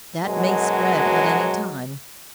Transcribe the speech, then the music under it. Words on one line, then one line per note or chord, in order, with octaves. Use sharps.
That may spread at any time.
F#2 B2 F#3 G#3